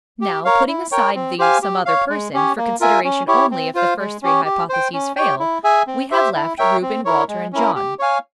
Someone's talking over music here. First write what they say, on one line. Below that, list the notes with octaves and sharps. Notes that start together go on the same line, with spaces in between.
Now, putting aside the 'some other person' for consideration only if the first three hypotheses fail, we have left, Reuben, Walter, and John.
G4
A#4 C#5 F5
E4
A#4 C#5 G5
C4
G4 C5 F5 G#5
G4
C#5 F5
G#3
C#4 G4 C#5
A#3
F4 A#4 E5 G#5
C#4
E4 G4 C#5
C4
F4 C5 F5
G#3
C#4 G4 C#5
G4
C5 G5
C#4
G4 C#5 G5
E4
G#4 E5 G#5
C4
G4 C5 E5
E4
A#4 C#5 E5 G5
C4
E4 A#4 C#5
G#3
C#4 E4 A#4
G4
C#5 F5 G#5